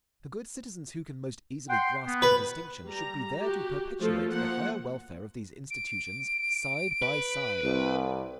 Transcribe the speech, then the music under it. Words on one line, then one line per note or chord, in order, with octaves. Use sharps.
The good citizens who can most easily grasp the distinction should be there to perpetuate the higher welfare of these institutions side by side.
F#5 G5 C6
B3
B4
G3 A#5
F#4 G4
F3 A3 F4 A4
F3 A#3 F#5
D7
B4
C2